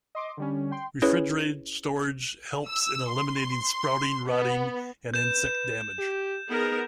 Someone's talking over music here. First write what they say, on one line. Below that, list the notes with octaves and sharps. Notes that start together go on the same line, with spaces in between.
Refrigerated storage helps in eliminating sprouting, rotting and insect damage.
D#5 C6 D6
D3 G3 C#4
G5 C6
C#4 E4 G#4 B4 C#5
E6
C6
B3
B4 G6 E7
G4
B3 D#4 G#4 A#4